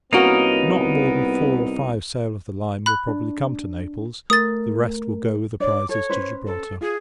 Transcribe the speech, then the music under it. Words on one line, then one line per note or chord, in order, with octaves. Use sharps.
Not more than four or five sail of the line will probably come to Naples; the rest will go with the prizes to Gibraltar.
C2 A#3 B3 C#4 D#4 F#4 A#4 D#5
B5 F#6
D4
A3 A#4 D#6 A6
D4 C#5 D5 D6
A4 C#5
C#4 B4 C5
A4
F4 G#4